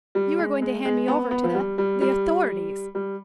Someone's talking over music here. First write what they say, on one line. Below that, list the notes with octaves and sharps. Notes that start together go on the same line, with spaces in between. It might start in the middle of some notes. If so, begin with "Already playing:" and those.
"You are going to hand me over to the--the authorities."
G3
G#3
G#3
G#3
B3
B3
F3
G3
G3
G3
G3